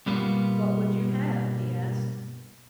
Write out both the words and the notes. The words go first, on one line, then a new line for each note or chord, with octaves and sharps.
"What would you have?" he asked.
G2 B2 G3 A#3 B3 F4